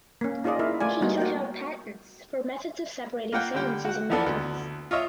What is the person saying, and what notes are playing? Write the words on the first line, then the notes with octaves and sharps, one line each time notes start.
He took out patents for methods of separating sands using magnets.
A#3 C#4
D#4 F4 G#4 D5 D#5
E4 A#4 E5 F5
A3 F4 D5 G#5
G3 A#3 B3 D#4 F#4
F#4 A#4 G5
A#3 F4 F#5 G5
D3 G3 G5
F#4 F#5
E3 F3 A#3 B3 D4 A4
D2
F4 C#5 D#5 E5